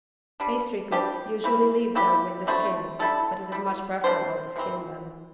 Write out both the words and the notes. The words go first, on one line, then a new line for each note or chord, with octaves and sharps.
Pastry cooks usually leave them with the skin but it is much preferable to skin them.
G3 D4
E3 G3 D4 G4
E3 C4 E4
E3 C4 E4 G4
D3 A3 C4 E4
D3 G3 E4 A4
G3 E4
C3 E3 G3 D4 C5
C3 E3 C4